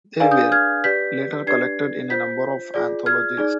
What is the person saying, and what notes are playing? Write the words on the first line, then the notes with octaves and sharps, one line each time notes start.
They were later collected in a number of anthologies.
D4 G#4 B4 D5 F5 G#5
D#6 G6
F6 G#6
G4 B4 D5 G6 B6
D4 G4 B4 D5 G#6 C7
F4 C5 G6 B6
F4 G#4 D5
F6 G#6
D#4 G#4 D5